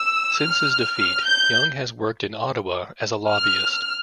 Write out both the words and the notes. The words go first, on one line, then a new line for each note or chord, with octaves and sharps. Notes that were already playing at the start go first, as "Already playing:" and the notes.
Since his defeat, Young has worked in Ottawa as a lobbyist.
Already playing: E6
F6
F6
G6
F6